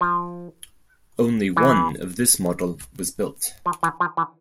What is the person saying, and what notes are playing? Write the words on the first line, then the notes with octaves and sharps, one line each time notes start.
Only one of this model was built.
F3
E3
F3
E3
F3
E3